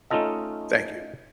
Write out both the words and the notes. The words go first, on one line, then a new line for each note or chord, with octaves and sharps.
Thank you.
A3 C#4 D#4 F4 A4 D#5